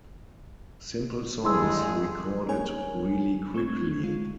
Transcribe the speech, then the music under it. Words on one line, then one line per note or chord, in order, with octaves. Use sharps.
Simple songs recorded really quickly.
G2 G#3 E4 G#4 C6 E6
A#3 C#4 A#4 C#5 G#5
A3 C4 C#6 G#6
G#3 F4